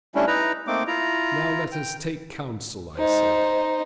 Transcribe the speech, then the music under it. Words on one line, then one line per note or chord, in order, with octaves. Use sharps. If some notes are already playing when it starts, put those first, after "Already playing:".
"Now let us take counsel," I said.
G3 A3 C#4 D4 E4
D#4 E4 B4 A#5
A3 A#3 C4 D#4 D6
E4 F4 A#5
G5
D#4 C5